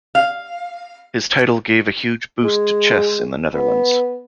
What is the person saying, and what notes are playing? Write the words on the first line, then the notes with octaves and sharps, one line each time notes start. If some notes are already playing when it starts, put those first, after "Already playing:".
His title gave a huge boost to chess in the Netherlands.
F5
G#3
B3